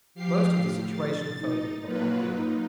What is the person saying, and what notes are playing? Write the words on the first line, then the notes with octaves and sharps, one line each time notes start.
Most of the situation-phobia belong here.
F3 G4 F5 C7
A2
A6
D#4
F#3 A#3 F4 B4
D#4